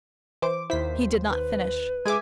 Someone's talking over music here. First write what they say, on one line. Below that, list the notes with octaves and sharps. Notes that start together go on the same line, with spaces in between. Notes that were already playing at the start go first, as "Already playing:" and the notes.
He did not finish.
E3 C5 D6
D#2 E4 C5 B6
B4
G#3 G#4 E5 G#5 D6